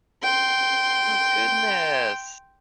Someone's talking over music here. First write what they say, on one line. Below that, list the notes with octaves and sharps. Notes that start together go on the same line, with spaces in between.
Oh, goodness.
G5 C6